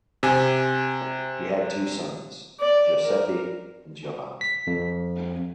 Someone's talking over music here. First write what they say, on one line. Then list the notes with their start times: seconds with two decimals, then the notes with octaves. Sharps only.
He had two sons, Giuseppe and Giovanni.
0.23 C3 G#5
2.60 D5
3.03 A#4
4.41 B6
4.67 F2